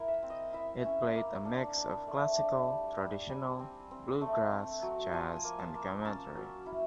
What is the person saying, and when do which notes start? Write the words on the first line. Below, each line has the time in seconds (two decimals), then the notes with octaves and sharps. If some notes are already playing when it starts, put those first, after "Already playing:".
It played a mix of classical, traditional bluegrass, jazz, and commentary.
Already playing: E4 A#4
0.08 E5
0.23 C4
0.30 D#5
0.53 E4 E5
0.84 C#4
1.15 A#3
1.45 D4 F#5
1.76 D4
2.07 A3
2.37 D4
2.68 G3
2.98 G3
3.29 G3 G#5
3.59 C4
3.91 C4
4.21 A3
4.52 C4
4.82 F#3
5.12 F3 G#5
5.36 G#5
5.44 A#3
5.59 A5
5.75 A#3
6.05 C#4 A5
6.36 F#3
6.66 E4